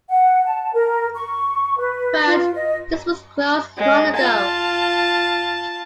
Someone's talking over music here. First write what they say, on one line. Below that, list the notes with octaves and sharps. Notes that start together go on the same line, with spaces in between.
But, this was closed long ago.
F#5
A5
A#4
C#6
B4
F4
D#5
G#3
F4 A5